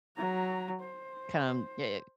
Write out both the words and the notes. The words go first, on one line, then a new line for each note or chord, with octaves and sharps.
come Yeah
F#3 A#5
C5